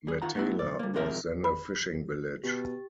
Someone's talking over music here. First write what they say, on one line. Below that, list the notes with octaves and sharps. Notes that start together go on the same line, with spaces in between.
Matala was then a fishing village.
G3 G#4
D#3 F4 F#5 A#5
A3 B3 E4
B1 D5
G3 A#3
G#2 C3 F3 G#3 A#4 E5
B5
B2 G4 A6